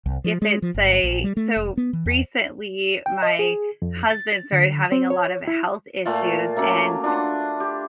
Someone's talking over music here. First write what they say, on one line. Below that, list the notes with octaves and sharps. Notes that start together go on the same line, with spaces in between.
if it's a So, recently, my husband started having a lot of health issues and
C2
F3
G#3
F3
G1
A#1
G3
A3
F1
B3
E3
E2
G5
D#5
G#4
F2
A6
D3
C4
C#5
E4
A#2 A3 F4
F#3 A3 A#3 C#4
D4 F4 F#5 B5
G4